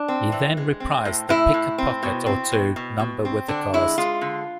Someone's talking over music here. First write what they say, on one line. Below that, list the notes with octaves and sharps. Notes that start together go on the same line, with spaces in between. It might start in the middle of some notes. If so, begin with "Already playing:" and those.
He then reprised the "Pick a Pocket or Two" number with the cast.
Already playing: D4
C4
E3
G#3
C4
A2
A2 E4
A2
C4
B2
C4
B2
B2
B2
C4
D3 D4
G#3 E4
G#3 F4
D3